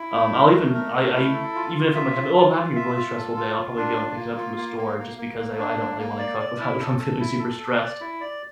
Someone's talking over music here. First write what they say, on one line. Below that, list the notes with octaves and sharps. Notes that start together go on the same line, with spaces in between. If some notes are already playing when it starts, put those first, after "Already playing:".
um, I'll even, I I e even if I'm, like, having well, if I'm having a really stressful day, I'll probably go and pick it up from a store just because I I don't really wanna cook with how if I'm feeling super stressed,
Already playing: E4
A3
A#4
A3
A#4
A3
E4
A4
F4
F4
E5
F4
F4
F4
E5
F4
A4
F4
F4
D4
F4
A#3
F4
A#3
A#3
A#3
A#3
A#3
D4
A#3
A#3
D5
D5
E4
A4
A4
E4
A4
A4
D5
E4
D5